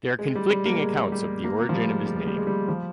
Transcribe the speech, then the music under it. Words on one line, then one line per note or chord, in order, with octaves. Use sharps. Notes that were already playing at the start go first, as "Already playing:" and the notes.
There are conflicting accounts of the origin of his name.
G#3
G3
G3
A#3
G#3
G3
A#3
A#3
F3
G3
G#3
G3
G#3
G3
G#3
G3
F3